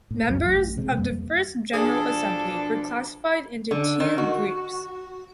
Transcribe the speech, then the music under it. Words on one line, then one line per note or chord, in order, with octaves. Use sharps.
Members of the first General Assembly were classified into two groups.
A2
C#2 F#2 F#3
A1
C3 G#3
F2 G3 A#3
B2 F3 D4 G#4 A4
D3
D#3
F#4